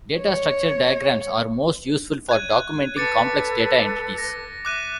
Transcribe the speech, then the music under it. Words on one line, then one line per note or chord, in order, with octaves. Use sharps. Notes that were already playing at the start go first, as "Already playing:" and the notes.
Data structure diagrams are most useful for documenting complex data entities.
C#5
F#6 G#6 D#7
A4 B4 D6 A6 C#7
A#6
E5 D6 F#6 D#7